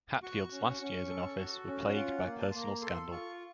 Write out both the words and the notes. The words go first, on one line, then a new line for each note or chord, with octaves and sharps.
Hatfield's last years in office were plagued by personal scandal.
F#4 C#6
C#4
C#4
A4
F#4
C#4
F4 F#5
F#5
A#3
A5
A#3 C6
A#5
A4 C6
F4 C#6